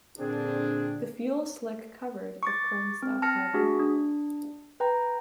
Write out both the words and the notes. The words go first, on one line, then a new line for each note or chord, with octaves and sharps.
The fuel slick covered of Kronstadt harbor.
A#2 D3 C4 D4 G#4
C#6 D6 A6
C4
A5 F6 A#6 C#7
A3 D4 F#4 G#4
D4
B4 G5 A#5